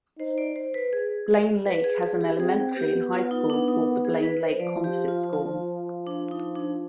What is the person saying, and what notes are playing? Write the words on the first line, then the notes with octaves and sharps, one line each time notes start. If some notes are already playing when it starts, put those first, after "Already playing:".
Blaine Lake has an elementary and high school called the Blaine Lake Composite School.
D#4 C5
D5
C5
B4
G#4
B4
G#4
G#4
G4
C4 G#4
B3 G4
F4
D#4
D4
D#4
G#4
B4
C5
F3 D5
G4
F4
F4
D4
D#4
D4